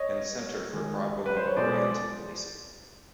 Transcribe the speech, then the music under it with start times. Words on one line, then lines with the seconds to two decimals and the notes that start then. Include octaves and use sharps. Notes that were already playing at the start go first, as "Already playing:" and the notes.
In Center for Problem-Oriented Policing.
Already playing: C#5 D#5
0.73 D#3 G#3
1.26 B4
1.37 C5
1.46 C#5
1.57 B2 G#3 C5 D5
1.76 D5